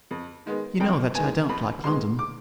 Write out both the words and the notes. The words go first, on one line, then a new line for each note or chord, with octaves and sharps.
You know that I don't like London.
F2
D#3 G#3 B3
F2 G5
D#3 G#3 B3 G#5
F2 B5
D#3 G#3 B3 C6
D6